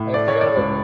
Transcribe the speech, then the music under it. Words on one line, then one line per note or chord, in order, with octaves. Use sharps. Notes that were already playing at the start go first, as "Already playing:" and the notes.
I forgot about
Already playing: A2
A3 D5
C#5
D5
C#2